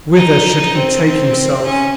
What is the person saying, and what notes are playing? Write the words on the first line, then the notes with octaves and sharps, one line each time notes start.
Whither should he take himself?
D#4
C4
C4
C#4